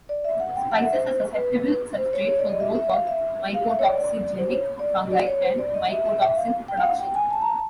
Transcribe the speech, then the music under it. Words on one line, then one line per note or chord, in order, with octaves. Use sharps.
Spices are susceptible substrate for growth of mycotoxigenic fungi and mycotoxin production.
D5
E5
F#5
G5
F#5
E5
C5
B4
C5
C#5
C#5
D5
D#5
E5
E5
F5
E5
F5
E5
C#5
D5
C5
C#5
D5
D#5
D5
C#5
C5
D5
D#5
E5
E5
E5
F5
G5
F5
F#5
G5
G#5
A5
A#5
A5